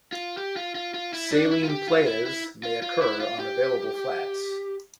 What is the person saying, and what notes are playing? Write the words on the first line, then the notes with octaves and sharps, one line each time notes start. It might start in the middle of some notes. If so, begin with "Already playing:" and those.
Saline playas may occur on available flats.
F4
G4
F4
F4
F4
E4
D4
E4
F4
G4
F4
E4
E4
F4
F4
E4
F4
G4